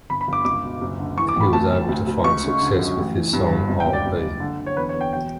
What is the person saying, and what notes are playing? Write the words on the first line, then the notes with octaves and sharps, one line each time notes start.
He was able to find success with his song I'll Be.
G1 B5
B5
G1
D6
C#2 D6
B2
F#1
D3
E3 C#6
D6
A1 B5
D2 A5
D2
D2
D2
C#2 C#6
C#3
D3
F#2
A1
E3
G2
G1
C#2
G5
C#2
D5
F#1
F#1
D3
D3
C#5
E2 B4
C#5
E2
G5
E1 G5